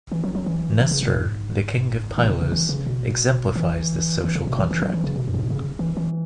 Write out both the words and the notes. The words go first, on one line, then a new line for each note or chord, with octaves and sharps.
Nestor, the king of Pylos, exemplifies this social contract.
E3
F#3
F#3
E3
E3
C#3
B2
G#2
E3
B2
C#3
C#3
E3
C#3
B2
E3
E3
C#3
B2
E3
E3
F#3
E3
C#3
B2
F#2
B2
G#2
C#3
E3
E3